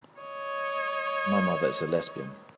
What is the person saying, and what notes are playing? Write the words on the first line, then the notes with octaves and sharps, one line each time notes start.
My mother is a lesbian.
C#5 D#5